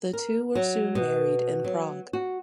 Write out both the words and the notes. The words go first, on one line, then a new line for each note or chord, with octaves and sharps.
The two were soon married in Prague.
A#4
F#3
B2
F#3
F#4